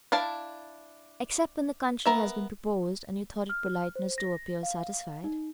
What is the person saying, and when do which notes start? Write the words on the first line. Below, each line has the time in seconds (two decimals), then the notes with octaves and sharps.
"Except when the country has been proposed, and you thought it politeness to appear satisfied."
0.12 D4 E4 F5 A5
2.06 B3 A#4 E5
3.49 F6
3.96 C5
4.18 A#6
4.63 F5
5.24 D#4